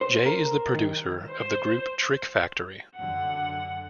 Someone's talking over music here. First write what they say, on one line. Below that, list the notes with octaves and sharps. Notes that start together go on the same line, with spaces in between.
Jay is the producer of the group Trick Factory.
C5
A#4
D#3
C5
F#2 D3 F#5